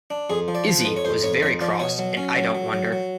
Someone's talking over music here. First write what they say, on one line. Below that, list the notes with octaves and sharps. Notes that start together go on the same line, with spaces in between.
Izzie was very cross and I don’t wonder.
D4
F2 G#4
F3
D5
F3
B4
F2
C#5
F2 C5
F2 C#5
F2 C#5
F3 D5
B2 C#5
F#3
C#4
F#3
F#3
F#3
F#3